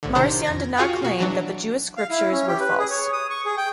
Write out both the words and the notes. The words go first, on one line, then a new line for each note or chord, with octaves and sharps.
Marcion did not claim that the Jewish scriptures were false.
A#1 A2 D3
C3 D#3 D4 C5 A#5
F2 G#6 A#6
F4 F#4 G#4 F5 G5
B2 F#4
E3 F#3 D4
F5
E4
C#4
G4
B4
G#4
C#5
D#6
C#6
G#4
G5